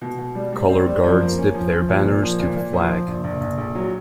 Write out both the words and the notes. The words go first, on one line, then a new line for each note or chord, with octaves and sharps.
Color guards dip their banners to the flag.
B2
B2
G3
G3
C4
G3
F3
A#3
C#4
F3
F3
A#2
A#2
F3
A#2
A#2
F3
F3
A#1
A#1
A#1
A#1
F#3